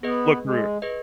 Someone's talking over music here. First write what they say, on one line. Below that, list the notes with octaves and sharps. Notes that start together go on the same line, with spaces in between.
look through it?
B3 G#4 B4 D#5
G#3
G#4 B4 D#5